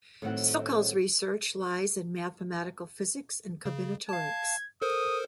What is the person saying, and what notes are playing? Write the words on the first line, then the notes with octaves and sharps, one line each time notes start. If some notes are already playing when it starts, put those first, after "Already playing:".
Sokal's research lies in mathematical physics and combinatorics.
A2 D#3 F#3 G3 C4 F#5
C#3
F5 A5 G#6
A4 A#4 C5 D#6